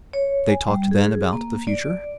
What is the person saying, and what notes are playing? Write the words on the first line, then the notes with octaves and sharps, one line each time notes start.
They talked then about the future.
C#5
G#5
G3
G#4
A#3
D5